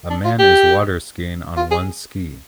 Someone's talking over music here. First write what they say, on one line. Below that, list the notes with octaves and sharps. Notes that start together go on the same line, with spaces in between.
A man is waterskiing on one ski.
D4
F4
G4
F4
G#4